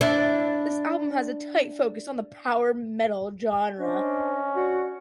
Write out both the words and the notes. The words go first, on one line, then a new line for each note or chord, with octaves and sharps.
This album has a tight focus on the power metal genre.
D4 E4
C#4 D4 C5 D#5
F#4 D5 F#5